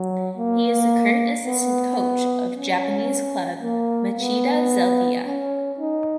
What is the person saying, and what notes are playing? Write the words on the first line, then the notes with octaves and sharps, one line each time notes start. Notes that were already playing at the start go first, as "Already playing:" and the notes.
He is the current assistant coach of Japanese club Machida Zelvia.
Already playing: F#3
A#3
B3
C#4
A#3
B3
C#4
D#4